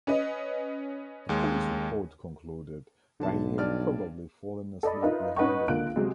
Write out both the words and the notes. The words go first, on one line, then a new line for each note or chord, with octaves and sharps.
The police report concluded, that he had probably fallen asleep behind the wheel.
C#4 B4 D#5
D#2 G#3
B1 D3 A5
G2 D5 F6
A4 D5 D#5 B5
D#4 F4 A#4 B4 D#5 E5
C#4 D#4 B4 D#5 F#5 C#6
C#2 D3 A#3 F4 F#6 D7
C3 F#3 G#3